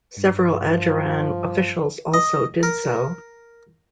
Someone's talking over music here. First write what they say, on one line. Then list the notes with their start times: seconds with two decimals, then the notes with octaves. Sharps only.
Several Adjaran officials also did so.
0.17 G2
0.67 F3
2.14 D#5
2.63 A#4